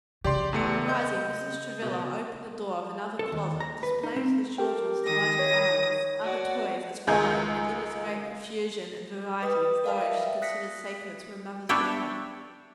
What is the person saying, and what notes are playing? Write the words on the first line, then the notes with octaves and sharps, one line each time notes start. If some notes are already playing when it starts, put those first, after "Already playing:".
And rising, Mrs. Travilla opened the door of another closet displaying to the children's delighted eyes other toys as fine and in as great profusion and variety as those she considered sacred to her mother's memory.
C#3 G4 D5 C6
E2 A3 C#7
D#5 G6
B2
A4
D#2
A#5
B4
D#4
C4
G4 A#4 G5
D#3 D#6 A#6
C#5
F#4 D5
C#2 D#3 G#3 G#4 A#5 G6
B4 D#5 D#6
A#4 D5 F5 G5 A5
D#5 E5
D#6 F#6 A#6 B6 C#7
B3 D4 C#5 E5 G5